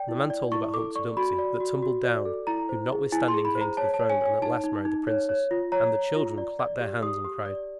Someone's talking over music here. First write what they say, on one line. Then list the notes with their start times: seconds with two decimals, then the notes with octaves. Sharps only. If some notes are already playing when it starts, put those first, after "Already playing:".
And the man told about Humpy-Dumpy that tumbled down, who notwithstanding came to the throne, and at last married the princess. And the children clapped their hands, and cried.
Already playing: D5 G5
0.09 E4
0.30 D5
0.52 E4 C#6
0.74 A4 D6
0.95 D5 C#6
1.17 F#4 B5
1.39 D5
1.60 F#4
1.83 F#4
2.04 D5
2.25 A4
2.47 E4 A#5
2.69 C5
2.91 G#4
3.12 E4 G#5
3.28 C6
3.34 G#4
3.45 B5
3.55 C5
3.61 A#5
3.77 C#5 A5
3.94 A5
3.99 C#5
4.10 G#5
4.21 C#5 G#5
4.42 D#4 A5
4.64 D#4
4.85 D#4
5.07 C#5
5.29 C#5
5.51 F4
5.72 C#5 A#5
5.94 C#5
6.16 F4
6.38 D5
6.59 D5
6.80 G4
7.03 G4 D#6
7.25 G4
7.46 D5